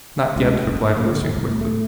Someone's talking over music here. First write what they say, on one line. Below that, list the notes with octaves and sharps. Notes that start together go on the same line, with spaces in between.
"Not yet," replied Lucian quickly.
C#2
A2
F#1
G#2
A#3
D3
D#2
C2
A2
A3